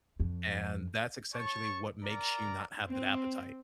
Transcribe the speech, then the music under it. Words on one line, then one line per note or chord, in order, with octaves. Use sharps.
and that's essentially what makes you not have that appetite.
F2
C#5 A5 C#6
A#4 D5 A#5
C4